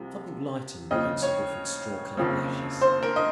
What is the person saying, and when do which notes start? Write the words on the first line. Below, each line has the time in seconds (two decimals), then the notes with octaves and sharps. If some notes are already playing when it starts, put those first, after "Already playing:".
Something lightened behind Sir Wilfrid's straw-colored lashes.
Already playing: C2 C3 F3
0.91 D#2 C#3 F3 D#5
1.22 C#5
2.17 F#1 F2 C#3 F3
2.81 C5
3.03 A#4
3.16 D#5